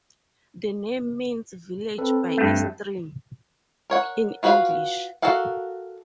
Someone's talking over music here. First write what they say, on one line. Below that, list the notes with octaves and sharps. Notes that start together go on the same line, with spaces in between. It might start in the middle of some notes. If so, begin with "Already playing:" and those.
The name means "village by a stream" in English.
C4 A4 B4
G2 A3
A#4 C#5 F#5
F4 F#4 B4 C5 F5
F#4 A4 A#4 F5 F#5